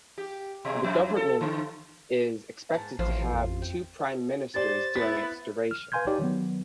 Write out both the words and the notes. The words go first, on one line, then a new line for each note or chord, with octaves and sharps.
The government is expected to have two prime ministers during its duration.
G4
B2
F2
A4
D3
G#2 A5
A1 F3 F4 C5
F2
G5
G4 C5 D5 A6
B3 E4 B6
F6
B4 F5 G#5 C6 G6 G#6
D#4 G4 C#5 D5
D#3 F#3 B3